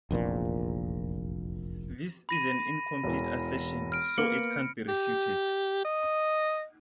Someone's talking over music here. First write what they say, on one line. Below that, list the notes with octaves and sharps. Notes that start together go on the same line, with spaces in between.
This is an incomplete assertion, so it can't be refuted.
F1 A#1 E2 A#2
B5 A#6 D#7
E1 E3
F6 D7
A#3 B3 C#7 F#7
G4
D#5